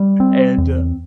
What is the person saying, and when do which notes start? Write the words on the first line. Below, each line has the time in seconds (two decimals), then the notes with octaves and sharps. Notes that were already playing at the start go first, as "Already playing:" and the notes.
and, uh
Already playing: G3
0.20 C4
0.58 E2